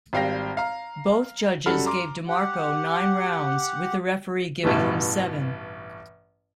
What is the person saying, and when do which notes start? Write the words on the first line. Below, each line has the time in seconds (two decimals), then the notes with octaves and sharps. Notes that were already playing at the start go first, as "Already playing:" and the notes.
Both judges gave DeMarco nine rounds, with the referee giving him seven.
0.13 G#1 G3 F5 G5 F6 A#6
0.57 F5 A#5
1.66 F#2 G3 F#4 A4 B5 F6
1.86 A#5 C6 D6
2.28 G4 F#5
4.63 A1 G2 B2 E3